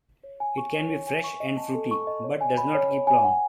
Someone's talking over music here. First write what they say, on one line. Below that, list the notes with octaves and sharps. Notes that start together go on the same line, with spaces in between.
It can be fresh and fruity, but does not keep long.
C#5
G#5
C#6
C#5
C#5
G#5
C#6
D#5
A5
A4
C#6
D#5
C#5
G#5
B5
C#5
C#5
G#5
F#5